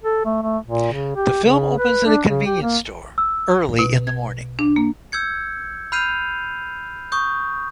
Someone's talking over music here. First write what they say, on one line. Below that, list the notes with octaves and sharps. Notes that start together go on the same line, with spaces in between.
The film opens at a convenience store early in the morning.
A4
A3
A3
A#2
C#3
G4
C#3
B4
D4
C#3
G4
A#3
E6
B2
G#6
D4
A#3
E6 G6 G#6 C#7
B5 F6 G6 C7 D#7 F7
C#6 D#6 G6